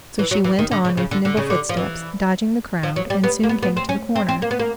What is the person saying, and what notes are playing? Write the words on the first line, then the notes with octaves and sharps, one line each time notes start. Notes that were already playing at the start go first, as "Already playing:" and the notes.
So she went on with nimble footsteps, dodging the crowd, and soon came to the corner.
E3
F#3
E3
D#3
D3
C#3
C#3
D3
D3
C#3
D3
F3
E3
F3
F#3
G3
B3
A#3
B3
B3
C4
C#4
C4
C4
A#3
B3
A#3